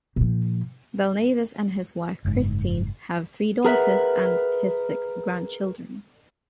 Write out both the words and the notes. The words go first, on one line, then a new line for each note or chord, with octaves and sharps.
Belnavis and his wife Christine have three daughters and his six grandchildren.
A#2 F3
F#1 G#2
G#4 A#4 B4 E5 F#5